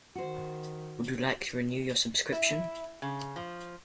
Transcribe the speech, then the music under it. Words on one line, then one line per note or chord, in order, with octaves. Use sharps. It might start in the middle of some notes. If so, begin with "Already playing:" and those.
Would you like to renew your subscription?
D#3 F#4 C5
E4
C#3
F3